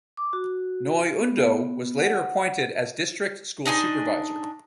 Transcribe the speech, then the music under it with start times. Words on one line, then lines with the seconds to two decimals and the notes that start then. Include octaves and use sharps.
Noy Undo was later appointed as district school supervisor.
0.17 D6
0.33 F#4
1.19 B3
2.02 F#5
3.65 D4 D#4 G#5 C6